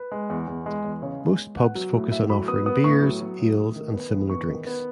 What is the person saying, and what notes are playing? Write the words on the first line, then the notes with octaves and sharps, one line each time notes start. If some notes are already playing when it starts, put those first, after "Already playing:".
Most pubs focus on offering beers, ales and similar drinks.
Already playing: B4
G#3
E2
E2
G#3
E2
C#3 C#5
G#3
G#3
B3 F#5
F#3
A2
A2 E5
F#3 B5
B3 D#6
B3 D#6
A2 C#6
F#3
F#3
A2
A2
D#3
B3
E2
B3 C#6
D#3
B3